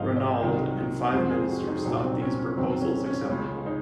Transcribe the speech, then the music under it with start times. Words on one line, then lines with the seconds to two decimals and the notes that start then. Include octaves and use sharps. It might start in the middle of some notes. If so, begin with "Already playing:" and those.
Reynaud and five ministers thought these proposals acceptable.
Already playing: G#1 G#2 F3 D#5 F5
0.17 D#5
0.40 C2 C3 D#3 F#3
1.12 F2 C3 F3 G#3 C5
1.30 G#4
1.49 F#4
1.67 D#4
1.85 C2 A#2 F#3 D#4
2.03 C4
2.21 C#4
2.39 C#4
2.57 F2 D#3 F#3 C4
2.82 C#4
3.06 C#4
3.30 C#2 C#3 G#3 C#4
3.66 D#4